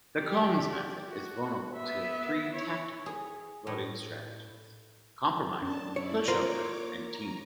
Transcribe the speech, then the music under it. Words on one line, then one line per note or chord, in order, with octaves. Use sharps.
The Coombs' method is vulnerable to three tactical voting strategies: compromising, push-over, and teaming.
G4 D5
F#4
B3 E5
E4 C#5
G#4
A2
F#2 C#4 D4 A5
E4 C#5 D5
A#3 F4 A#4 C5 C#5 D6
A#5